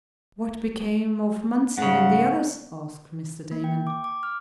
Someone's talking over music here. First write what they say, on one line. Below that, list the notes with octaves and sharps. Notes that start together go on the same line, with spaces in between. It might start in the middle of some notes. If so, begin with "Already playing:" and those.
"What became of Munson and the others?" asked Mr. Damon.
G#2 C#3 F#5
A#3
G5
D6
D6
F6